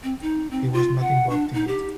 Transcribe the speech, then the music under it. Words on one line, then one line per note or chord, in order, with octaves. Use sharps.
He was not involved in it.
C4
D#4
C4
F4
F#5
D4
D#4
G4